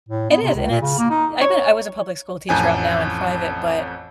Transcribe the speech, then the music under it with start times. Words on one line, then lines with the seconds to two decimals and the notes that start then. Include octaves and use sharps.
It is, and it's I've been I was a public school teacher, I'm now in private, but
0.09 A2
0.30 B3
0.43 C3
0.55 C#2
0.70 A#2
0.82 C#3
0.98 A#3
1.10 D#4
1.41 C#5
2.49 A1 F2 G#5